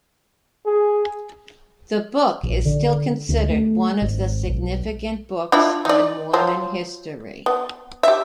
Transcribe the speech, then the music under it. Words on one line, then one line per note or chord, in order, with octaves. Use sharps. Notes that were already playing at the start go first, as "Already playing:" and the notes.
The book is still considered one of the significant books on Mormon history.
G#4
A#1
D3
D2
A3
G#1
B1
D4 E4 F4
D#4 D5
F3 F#3 C5
B3
G4 E5